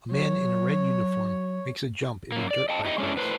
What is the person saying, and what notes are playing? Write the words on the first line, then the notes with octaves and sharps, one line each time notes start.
A man in a red uniform makes a jump in a dirt bike race.
F#3 C#5
F#2 A#3
D5
D#5 G5 A5
D#4 E4 G4 B4 D#5
G#3 C#4 D4 E4
A2 B4 C5